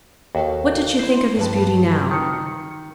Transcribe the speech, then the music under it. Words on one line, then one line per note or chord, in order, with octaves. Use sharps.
What did she think of his beauty now?
D#2 F#4 A4 F5
E4 C5 C6
G2 B4 A5
D#3 C#7